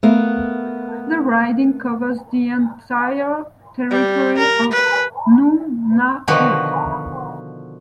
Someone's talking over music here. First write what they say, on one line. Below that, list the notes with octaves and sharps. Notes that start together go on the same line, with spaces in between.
The riding covers the entire territory of Nunavut.
A3 B3 A#4 F5
G3
A#4
B4
B2 D3 D#3 F3 F#4 B4